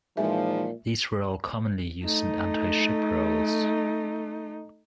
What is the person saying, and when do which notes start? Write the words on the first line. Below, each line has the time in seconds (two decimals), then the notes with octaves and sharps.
These were all commonly used in anti-ship roles.
0.17 A#2 E3 F3 G#3 D#4 E5 G#5
2.04 A3 D#4